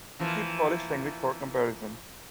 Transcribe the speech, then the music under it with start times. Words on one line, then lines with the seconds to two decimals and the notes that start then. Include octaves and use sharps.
See Polish language for comparison.
0.20 E3 F3 A#3